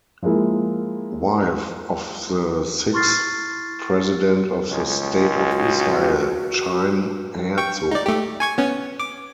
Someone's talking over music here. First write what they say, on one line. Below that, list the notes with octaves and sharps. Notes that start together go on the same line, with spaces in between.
Wife of the sixth president of the State of Israel, Chaim Herzog.
F3 G#3 A#3 E4
E4 C6 C#6 F6 A6 C7
C#2
F#4
G5 C#6
D#4 D5
A3 G4
G#5 C#6 G#6
B3 C#4
D6